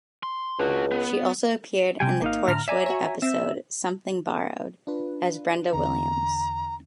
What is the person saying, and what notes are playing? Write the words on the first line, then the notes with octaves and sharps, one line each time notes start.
She also appeared in the "Torchwood" episode "Something Borrowed" as Brenda Williams.
C6
C#2 D4 F#4
B3
C3 G3 G5 G#5
G#1 A#3 D#4 F5
A2 D3 A#5 F6
D5 E5 G#5 A#5
F#4 C#5
C4 E5
D4 F4 B4
E2 D3 A#5